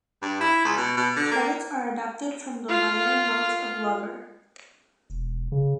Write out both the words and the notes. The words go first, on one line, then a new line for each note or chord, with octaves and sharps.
Credits are adapted from the liner notes of "Lover".
G2
E4
C#2
B2
B2
D3
A#3
F4 F5
E1
C#3